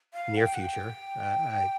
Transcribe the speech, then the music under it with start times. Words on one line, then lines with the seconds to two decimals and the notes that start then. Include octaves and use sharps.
near future, uh, I
0.13 F5
0.37 G5
0.55 F#5
0.60 G5